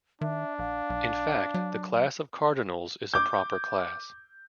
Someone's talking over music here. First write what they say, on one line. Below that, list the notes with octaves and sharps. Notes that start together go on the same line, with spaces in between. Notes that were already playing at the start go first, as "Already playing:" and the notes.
In fact, the class of cardinals is a proper class.
D#3 D4 E5
A#1 F5
B1
F#3
D6 G6